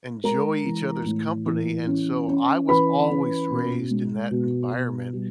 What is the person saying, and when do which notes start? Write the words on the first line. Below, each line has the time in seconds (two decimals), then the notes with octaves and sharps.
enjoy each other's company, and, so, I was always raised in that environment
0.24 G#3 A#4 A#5
0.65 E3
1.06 A2
1.46 E3
1.87 C#4
2.28 C#4
2.68 E3 B4 B5
3.10 C#4
3.51 B2
3.90 G#3
4.31 B2
4.73 B2
5.13 G3